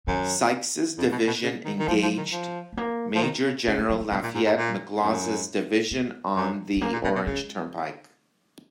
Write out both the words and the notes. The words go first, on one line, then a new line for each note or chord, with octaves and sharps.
Sykes' division engaged Major General Lafayette McLaws' division on the Orange Turnpike.
F#2 D#3
F2
B2
B2
C#3
D#3
D#3
F3 F#3
F3
D#3
F3
G#3
A#3
F3
D#3
C#3
C#3 B3
A#3
F#3
G#3
B2 A#3
A#2
G#2
G#2
A#2
F#2
B3
F#2
G#3
G#2 A#3
A#2
B2 A#3
B2
C#3 G#3